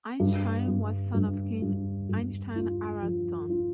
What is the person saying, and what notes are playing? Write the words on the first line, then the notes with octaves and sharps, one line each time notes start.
Eystein was son of King Eysteinn Haraldsson.
G2
G2
G2
G2
G2
F4
F3
F4